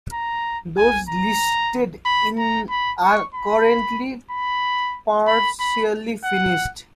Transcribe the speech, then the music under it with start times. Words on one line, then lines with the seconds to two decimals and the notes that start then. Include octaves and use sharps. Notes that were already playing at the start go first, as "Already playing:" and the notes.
Those listed in are currently partially finished.
0.13 A#5
0.77 G#5
1.10 A#5
2.06 B5
2.38 A#5
2.70 B5
3.03 C#6
3.34 B5
4.31 B5
5.27 B5
5.60 B5
6.24 F#5